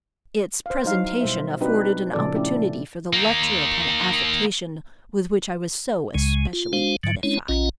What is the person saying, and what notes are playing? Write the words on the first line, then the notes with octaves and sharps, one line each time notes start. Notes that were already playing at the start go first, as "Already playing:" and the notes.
Its presentation afforded an opportunity for the lecture upon affectation with which I was so especially edified.
C5 F5
F#3 D#4 E4 F5
B2 G3 C5 E5
C4 D4 D#4 F#4 G4 B4
A#2 C#3 F3 A4 D5
A3 C#4 D4 E4 G4 D5
A#3 D#4
C#2 C#3 G#3
F4
G#3 D4 F#4 C5 F5
G#2 D3 F#3
G#3 C#4 D4 E4 C#5
A#1 C#4 F4 D#5 F#5